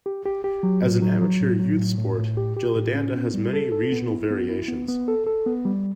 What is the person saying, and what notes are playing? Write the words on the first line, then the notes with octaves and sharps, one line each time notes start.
As an amateur youth sport, gilli-danda has many regional variations.
G4
G4
G4
F#3
A2
F#3
F#3
A2
F#3
A2
A2
A2
G4
G4
A2
C#4
B3
G3
A4
A4
B3
E4
B3
E4
B3
B3
A4
A4
B3
G3